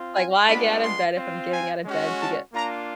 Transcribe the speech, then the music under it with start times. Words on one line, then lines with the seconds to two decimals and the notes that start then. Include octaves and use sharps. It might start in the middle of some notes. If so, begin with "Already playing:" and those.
Like, why get out of bed if I'm getting out of bed to get
Already playing: C4 F4
0.12 G#5
0.47 G#3 B3 D4 F4 B5
0.81 C6
1.16 C4 F4
1.50 G#5
1.84 G#3 C#4 F#4
2.19 A5
2.53 A#3 D4 F4 A#5